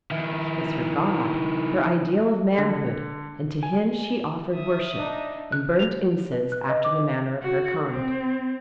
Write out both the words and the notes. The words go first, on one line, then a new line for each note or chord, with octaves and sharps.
He was her god, her ideal of manhood, and to him she offered worship, and burnt incense after the manner of her kind.
D#3 E4
D3
G#5
E5 D#6
D4 D#4
F#6
F7
B4
F#6
D#5
D6
F#4
C4